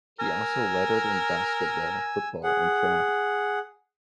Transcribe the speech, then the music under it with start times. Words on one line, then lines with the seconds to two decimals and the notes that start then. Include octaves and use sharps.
He also lettered in basketball, football and track.
0.19 A#4 G#5 E6
2.44 G#4 F#5